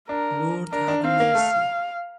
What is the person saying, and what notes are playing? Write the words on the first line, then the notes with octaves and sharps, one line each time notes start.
Lord, have mercy.
D4 A#4
D4 A#4
D4
C4 F5
A#3
A3